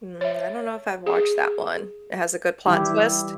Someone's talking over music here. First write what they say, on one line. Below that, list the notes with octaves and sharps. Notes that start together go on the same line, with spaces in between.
Hmm, I don't know if I've watched that one. It has a good plot twist?
C#5 E5
G#4
E3 G3 E4 G4